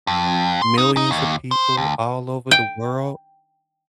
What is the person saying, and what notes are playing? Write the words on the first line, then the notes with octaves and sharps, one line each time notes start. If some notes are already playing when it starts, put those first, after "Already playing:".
Millions of people all over the world
F2
C6
D#4
D#4
D#2
C5
D2
G5